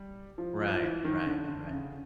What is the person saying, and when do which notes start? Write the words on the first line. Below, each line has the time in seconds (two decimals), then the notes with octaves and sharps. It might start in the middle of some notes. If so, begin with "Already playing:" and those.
Right, right, right.
Already playing: G3
0.38 F3
0.60 F3
0.73 F3
0.82 E3
1.04 D#3
1.26 D3
1.48 D3
1.71 C#3